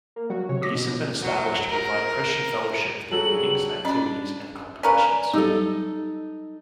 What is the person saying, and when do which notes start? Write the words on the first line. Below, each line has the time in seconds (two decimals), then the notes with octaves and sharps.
These have been established to provide Christian fellowship through meetings, activities, and competitions.
0.16 A#3
0.30 F#3 F#4
0.49 C3 C#5
0.62 F#4 D6 A#6
0.75 B2
1.23 F#3
1.69 A#4
3.11 G2 F#3 G#4 A4 F#7
3.85 C#4 D4 D#5 B5
4.83 C#4 A#4 B4 D5 F5
5.33 F#3 G3 D#4 G4 A4